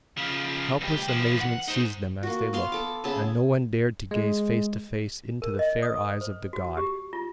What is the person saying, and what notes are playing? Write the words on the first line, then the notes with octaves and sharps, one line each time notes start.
Helpless amazement seized them as they looked; and no one dared to gaze face to face into the fair eyes of the god.
C#3 F3
C#2 G4
E3 F3
F#5
D#4 C5
A#3 F#4
B3 F5 C6
A4 D6
C#3 B3 E5 A5
G#3
A#4
D#5
D#6
C5
F#4
G4
F4